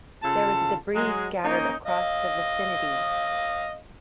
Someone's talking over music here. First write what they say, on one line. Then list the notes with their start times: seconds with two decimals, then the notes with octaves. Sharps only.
There was debris scattered across the vicinity.
0.23 C#3 F4 A4 A5
0.95 F#3 G#3
1.43 A#3 C#4 D#4
1.86 D#5 F5